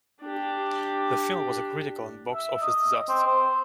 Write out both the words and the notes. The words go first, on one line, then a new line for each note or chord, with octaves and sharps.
The film was a critical and box office disaster.
D4 G4
E5
D#5
C4
C5